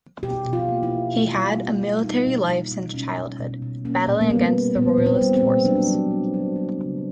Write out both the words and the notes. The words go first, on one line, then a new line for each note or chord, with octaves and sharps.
He had a military life since childhood, battling against the royalist forces.
B2 G4
B2
F4
A#3
E4
B2
B2
G3
A#3
G3
G#3 D#4
B2
G#3
B2
B2 C#4
B2
B2
B2
A#3 C#4
A#2
A#3
G3 B3
A#3
A#2 B3
A#2
C4
G3
C4
A#2
F#3 D4
F#3
A3
F#3
F#3
C#3